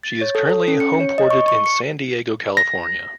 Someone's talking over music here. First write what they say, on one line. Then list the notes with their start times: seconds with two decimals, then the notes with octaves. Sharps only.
She is currently homeported in San Diego, California.
0.03 A6
0.21 C#5
0.35 A4
0.50 A4
0.68 C#4
0.80 C#7
1.00 C#5
1.18 D#5
1.31 C#6
1.48 C#6
1.66 C#7
2.57 A#6